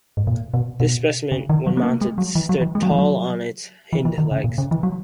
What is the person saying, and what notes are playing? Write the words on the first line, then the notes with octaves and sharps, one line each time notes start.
This specimen, when mounted, stood tall on its hindlegs.
G#2
A#2
B2
B2
C#3
D#3
F#3
B3
A#3
G#3
F#3
E3
F#3
E3
G#3
F#3
E3
F#3
E3
E3
D#3
C#3
A#2
C#3
E3
F#3